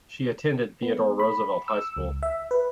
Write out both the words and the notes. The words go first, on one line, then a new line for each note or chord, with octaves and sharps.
She attended Theodore Roosevelt High School.
B3
B5
E6
C#2
E5
B4